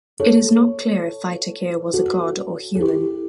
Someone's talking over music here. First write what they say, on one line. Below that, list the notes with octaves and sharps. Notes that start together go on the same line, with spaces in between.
It is not clear if Vaitakere was a god or human.
A4 C#5
F#4 A4
A4
E4 G4